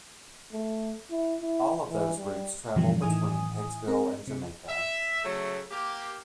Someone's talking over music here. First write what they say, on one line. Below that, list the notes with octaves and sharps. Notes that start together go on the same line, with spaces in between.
All of those routes travel between Hicksville and Jamaica.
A3
E4
E4
E3
G3
G2 B2 D3 E3 F3 G3
A2 D#3 E3 G#5 D#6
C4 A#4
C3
E5
C#3 F#3 A3
A#3 G4